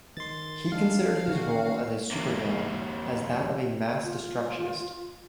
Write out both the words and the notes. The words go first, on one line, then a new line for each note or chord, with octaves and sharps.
He considered his role as a supervillain as that of a "mass-destructionist".
D#3 C6 A6
G#3 D4 F5
D#3 C#4 F#4
E2 A#3
F4